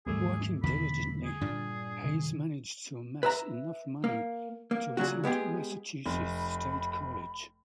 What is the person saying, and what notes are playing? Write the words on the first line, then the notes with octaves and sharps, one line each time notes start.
Working diligently, Hayes managed to amass enough money to attend Massachusetts State College.
D#2 G#2 E3 G3 A3 C4 G#4
E2 B2 D3 D#3 B5
G#4
G2 A#2 G3 D4
C3 D#3
B4 E5 A#5
A#3
A#3
A#2 C#3 F#3 F#4
G#3 B3 G4 G#4
F1 B5